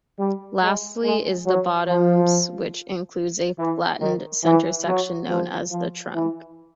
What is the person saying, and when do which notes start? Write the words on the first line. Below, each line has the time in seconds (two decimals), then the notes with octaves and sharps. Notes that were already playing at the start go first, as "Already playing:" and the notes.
Lastly is the bottoms which includes a flattened center section known as the trunk.
0.19 G3
0.62 G#3
1.03 G#3
1.46 F#3
1.89 F3
3.59 E3
4.01 D#3
4.44 E3
4.87 F#3
5.29 F3
5.71 F3
6.14 E3